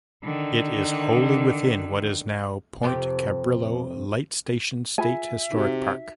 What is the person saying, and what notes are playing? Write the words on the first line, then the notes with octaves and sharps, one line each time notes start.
It is wholly within what is now Point Cabrillo Light Station State Historic Park.
D3 D#3
F2 C3 G4
F4 G#4 E5 G#5 B5
C3 D#4 F#4